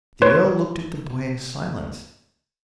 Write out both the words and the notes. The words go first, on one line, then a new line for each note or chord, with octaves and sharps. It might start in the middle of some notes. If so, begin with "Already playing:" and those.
The Earl looked at the boy in silence.
B4 C#5 C6